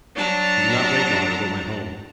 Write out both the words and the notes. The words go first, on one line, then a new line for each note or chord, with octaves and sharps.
He did not wait longer but went home.
F#3 D4 A5 A#5